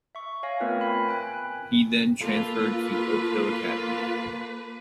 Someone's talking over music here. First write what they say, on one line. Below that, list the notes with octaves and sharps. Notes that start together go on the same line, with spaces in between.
He then transferred to Oak Hill Academy.
E5 C#6
C#5 F5 G#5 A#6
A3 B3 C4 F4 A#4 B4
A#4 G#5 B5 B6
G5 G#5 F#6
A#3 F4 A4 B4